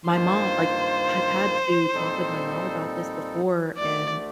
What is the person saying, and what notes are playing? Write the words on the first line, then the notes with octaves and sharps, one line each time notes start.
my mom like, I've had to talk with my mom about this before and,
G2 D#3 A#3 F4 C5
A#2 G3 C4 D#4 A4
D2 D3 A3 D5